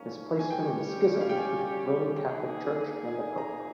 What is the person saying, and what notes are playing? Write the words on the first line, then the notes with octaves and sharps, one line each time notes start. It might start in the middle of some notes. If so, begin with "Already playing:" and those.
This placed them in schism with the Roman Catholic Church and the Pope.
Already playing: G#2 F3 A#3 C#4
G#5
G3 C#4 G4 C#5 G5
F5
G5
G#5
A#3 D#4 G#4
G#5
A#5